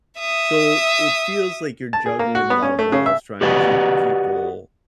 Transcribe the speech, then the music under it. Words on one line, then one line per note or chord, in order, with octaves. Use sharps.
So, it feels like you're juggling a lot of balls trying to keep people,
E5 D#6
A5
G#4
A#3
F#4
B3
C#4
A3
C#3
E5
F#4 G4 B4 D5 D#5 F#5